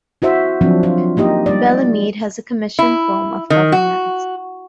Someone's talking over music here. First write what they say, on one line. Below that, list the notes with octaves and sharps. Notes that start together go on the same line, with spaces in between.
Bellemeade has a commission form of government.
E4 F#4 C5 E5
F3 F#3 C4 D4
F4
A#3 D#4 G4 D#5
G3 D5
E4
D#3
F#4